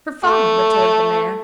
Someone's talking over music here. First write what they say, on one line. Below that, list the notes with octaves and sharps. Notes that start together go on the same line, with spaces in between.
"For fun," retorted the man.
A3